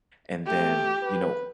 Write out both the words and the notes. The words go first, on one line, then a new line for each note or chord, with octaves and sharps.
And then, you know,
A3 G4
B4